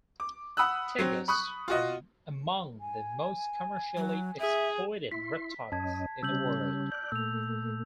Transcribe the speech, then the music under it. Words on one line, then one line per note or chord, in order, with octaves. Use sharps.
Tegus are among the most commercially exploited reptiles in the world.
D6
F#5 B5 D#6 E6 F#6
F#3 C4
B5 C#6 D#6 F#6
F4 F#4 D#5
G#5
F#3
G#4 E5
E4 C6 B6
F#2 C#4 D#5 A5 G#6
C#3 G3 C#4 E6 G6 F#7
D5 F#6 G6
A#2 A3 E6 F7